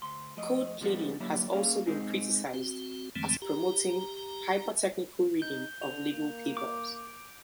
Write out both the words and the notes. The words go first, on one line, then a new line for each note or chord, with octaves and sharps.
Code pleading has also been criticized as promoting "hypertechnical reading of legal papers".
D2 C6
F3 A3 D#5
C3 F3 G3 G#3 B3
D3 F#3 G3 A#3 E4 E5
C2 A#3 C#4 G#4 F5
B2 G#3 C4 D#4 G#4
C4 F#4
F2 D3 E3 G#3 A3 C4
G4 A#5
D#4 G6 G7
D3 F7
A#3
D6